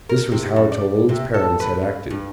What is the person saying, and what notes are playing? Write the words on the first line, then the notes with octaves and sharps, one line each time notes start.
This was how Toline's parents had acted.
A#4
C3
F#2
D5
C3
A4
B4
G2